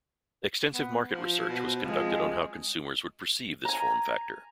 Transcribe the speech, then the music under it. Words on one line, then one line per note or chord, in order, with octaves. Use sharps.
Extensive market research was conducted on how consumers would perceive this form factor.
B3
F3 C5
B2
F3 G#3 C4
G#5 A#5